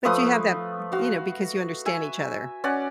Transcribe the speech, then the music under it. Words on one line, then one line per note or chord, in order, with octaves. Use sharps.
But you have that th you know, because you understand each other
F3 A3 B4 D#6
F#4 F5
E5 G#5
C#4 D5 F#5